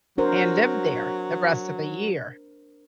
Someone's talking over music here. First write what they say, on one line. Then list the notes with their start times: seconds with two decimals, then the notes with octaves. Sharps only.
and live there the rest of the year.
0.18 F#3 D4 A#4 C5